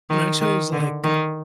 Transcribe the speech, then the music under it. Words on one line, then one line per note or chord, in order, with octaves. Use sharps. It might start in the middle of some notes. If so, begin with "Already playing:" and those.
And I chose, like,
D#3
D#3
D3
D#3